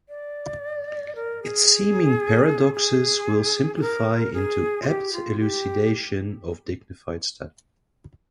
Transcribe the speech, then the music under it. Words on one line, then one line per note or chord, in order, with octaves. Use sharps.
Its seeming paradoxes will simplify into apt elucidation of dignified study.
D5
A#4
G#4
G#4
G#4
A#4
G#4
F4
G4
F4
G4